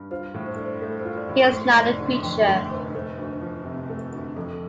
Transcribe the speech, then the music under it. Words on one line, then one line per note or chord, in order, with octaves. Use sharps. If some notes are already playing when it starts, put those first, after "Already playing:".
He is not a creature.
Already playing: G2
F4 C5
A2
C5
D4 A4
C5
A3 A4
C5
F4
D5
A2
A3 C5
D5
F1
D5
D3
C6
F2 G5
A3
F1 C5
A3 C5
D2
F3
C3
A3
D2
F2 A4